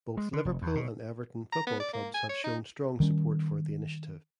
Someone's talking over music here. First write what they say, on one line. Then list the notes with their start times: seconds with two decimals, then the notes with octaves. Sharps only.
Both Liverpool and Everton football clubs have shown strong support for the initiative.
0.17 G#3
0.33 D3
0.45 F1
0.62 E2
0.75 B2
1.52 A#5
1.66 B3
1.80 D5
1.93 A#3
2.14 G#5
2.29 C#5
2.44 D#4
3.00 D#3 G3 C#4